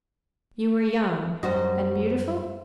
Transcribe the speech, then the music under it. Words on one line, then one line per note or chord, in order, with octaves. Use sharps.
"You were young, and beautiful?..."
F#2 G3 F#4 C5 D#5